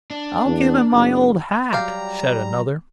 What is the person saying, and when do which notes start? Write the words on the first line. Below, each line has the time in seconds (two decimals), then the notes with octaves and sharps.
"I'll give him my old hat," said another.
0.11 D4
0.46 E2
0.93 F#1
1.73 F#3 G3 G4 F5 A#5